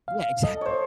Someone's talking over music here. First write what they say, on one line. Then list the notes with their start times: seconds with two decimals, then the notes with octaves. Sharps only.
Yeah, exactly.
0.08 F5
0.44 A4 D#5
0.61 C5 C#5